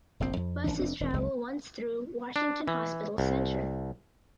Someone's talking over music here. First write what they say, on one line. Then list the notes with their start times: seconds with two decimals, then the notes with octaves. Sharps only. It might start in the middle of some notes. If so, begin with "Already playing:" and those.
Buses travel once through Washington Hospital Center.
0.20 F1 A#1 A#2 C4
0.36 F2
0.64 G#1 F2 E3 D4
0.78 F1 C4 D4
1.00 E1 C4
1.13 F#1 C#2 G#3
2.36 D4
2.68 E3
3.18 C2